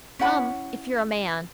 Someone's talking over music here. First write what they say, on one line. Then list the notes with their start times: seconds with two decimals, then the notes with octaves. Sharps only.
"Come--if you're a man!"
0.19 C#4 E4 F#5 B5